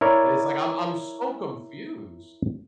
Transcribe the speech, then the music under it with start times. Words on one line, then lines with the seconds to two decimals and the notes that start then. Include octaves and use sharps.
It's like I'm I'm so confused.
0.01 E4 A#4 C#5 D5